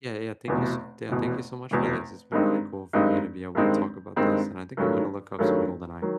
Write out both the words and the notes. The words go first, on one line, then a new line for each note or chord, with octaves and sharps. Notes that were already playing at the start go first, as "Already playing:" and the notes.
Yeah, yeah, thank you s yeah, thank you so much for this; it's been really cool for me to be able to talk about this, and I think I'm gonna look up some "GoldenEye."
F1 E2 B2
F1 E2 B2
F1 E2 B2
G2 D#3 G#3 C4 D#4
G2 D#3 G#3 C4 D#4
G2 D#3 G#3 C4 D#4
G2 D#3 G#3 C4 D#4
G2 D#3 F#3 A3 C#4
G2 D#3 F#3 A3 C#4
D#3 F#3